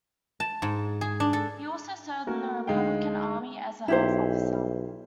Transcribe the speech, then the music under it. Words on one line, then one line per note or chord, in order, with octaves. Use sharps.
He also served in the Republican Army as a health officer.
A5
G#2
G#4
D4
A4
A3 A#3 F#4 A#4
D2 G#3 D#4 F5 G5
B1 E4 G4 C5